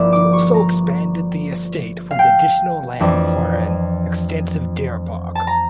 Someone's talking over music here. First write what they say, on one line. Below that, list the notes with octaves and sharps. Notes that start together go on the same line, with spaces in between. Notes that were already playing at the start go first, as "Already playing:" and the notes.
He also expanded the estate with additional land for an extensive deer park.
Already playing: G1 G2 F3 A#3 E4 D5 E5
D6
C#6
A#5
F5
G5
F2 E3 A3 D4
A5
A#5